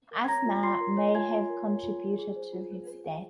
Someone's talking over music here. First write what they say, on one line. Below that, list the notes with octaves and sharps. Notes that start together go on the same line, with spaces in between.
Asthma may have contributed to his death.
A#4
G#6
C#5 A#5 A#6
F4
F4 C6 C7
A#4
C#5
F4 G#5 G#6
F4
A#4
C#5
F4
F4
G#4
C5
F4